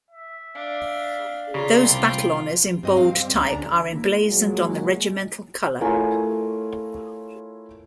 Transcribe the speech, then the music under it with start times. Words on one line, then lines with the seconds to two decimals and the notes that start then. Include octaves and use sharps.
Those battle honours in bold type are emblazoned on the regimental colour.
0.11 E5
0.55 D4 F5
1.54 C#3 F4 D5 A#5
1.84 C2 G5 B5 D6
2.83 G2 C4 D#5
2.97 F5
3.15 G3
3.34 C#2
3.46 D2 C#4 D4 A#5
3.92 A#3 E4
4.28 A#2 F#3 G#3
5.81 A3 E4 F4 A#4 C#5 G#5